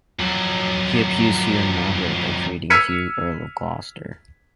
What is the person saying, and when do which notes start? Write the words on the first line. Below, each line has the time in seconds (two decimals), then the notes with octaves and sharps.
He appeased Hugh and Margaret by creating Hugh Earl of Gloucester.
0.19 F2 F#3
2.70 E6 F6 G#6 B6 C#7 D#7